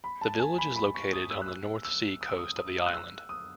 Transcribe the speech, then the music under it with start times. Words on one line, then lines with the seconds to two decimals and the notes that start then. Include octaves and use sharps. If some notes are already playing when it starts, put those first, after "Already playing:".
The village is located on the North Sea coast of the island.
0.04 B5
0.21 A5
0.40 G#5
0.58 B5
0.76 B5
0.95 C#6
1.13 D#6
1.31 E6
1.41 F#6
1.48 E6
1.85 E6
2.21 D#6
2.30 E6
2.38 D#6
2.57 D#6
2.86 F#6
2.94 E6
3.29 D#6